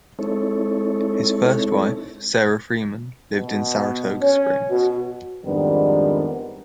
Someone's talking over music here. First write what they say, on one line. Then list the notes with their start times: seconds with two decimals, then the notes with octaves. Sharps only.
His first wife, Sarah Freeman, lived in Saratoga Springs.
0.19 G#3 C4 D#4 E4 A4 C#5
3.32 B2
4.21 C#4 C#5
4.70 B2 F#4
5.45 F2 G#2 D#3 G3 B3 D4